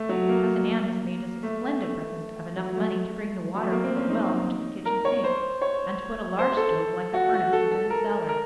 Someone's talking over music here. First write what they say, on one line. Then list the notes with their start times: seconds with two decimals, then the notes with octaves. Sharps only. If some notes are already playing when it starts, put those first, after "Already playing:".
Cousin Ann has made us a splendid present of enough money to bring the water from the well into the kitchen sink and to put a large stove like a furnace into the cellar.
Already playing: A3
0.09 F#3
0.29 A#3
1.43 A3
1.81 A3
2.56 F#3
2.76 A3
3.55 F#3
3.62 A3
3.72 A#3
3.84 C4
3.96 C#4
4.09 D#4
4.85 A#4
5.05 C#5
5.24 C5
5.62 C#5
6.39 C5
6.57 A4
7.14 F#4
7.34 F#4
7.53 A4
7.71 A4
7.90 A#4
8.10 A#4
8.29 A#4